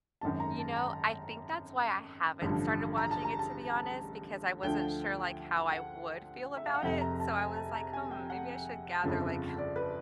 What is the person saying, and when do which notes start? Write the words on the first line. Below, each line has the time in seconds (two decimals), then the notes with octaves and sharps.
You know, I think that's why I haven't started watching it, to be honest, because I wasn't sure, like, how I would feel about it. So, I was, like, "Hmm, maybe I should gather, like,
0.21 G#1 F#2 D#3 A5
0.40 A#5
0.59 A5
0.76 A#5
2.42 A1 G2 D3 F3
2.98 A#5
3.11 A5
3.25 A#5
3.39 A5
4.63 D2 D3 F3 G5
5.72 F#5
6.57 E5
6.66 F5
6.74 F#5
6.83 F1 F2 C3 G5
7.01 A#5
7.20 A5
7.38 G#5
7.56 A5
7.75 A#5
7.93 G#5
8.11 G5
8.30 F#5
9.04 G1 F2 C#3 F3
9.58 D5
9.76 B4